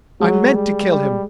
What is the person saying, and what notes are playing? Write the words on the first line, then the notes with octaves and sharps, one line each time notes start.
I meant to kill him.
F#3 G#3
G3
G3